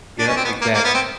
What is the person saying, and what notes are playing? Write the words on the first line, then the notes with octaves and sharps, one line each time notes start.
yep, exactly.
D4
C#4
C4
B3
A#3
A#3
B3
C4